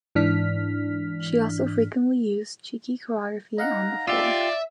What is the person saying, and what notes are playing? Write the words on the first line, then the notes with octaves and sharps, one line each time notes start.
She also frequently used cheeky choreography on the floor.
G#2 E3 D4 F6 B6
D#4 F5 F#5 A#5
F4 G4 D5 E5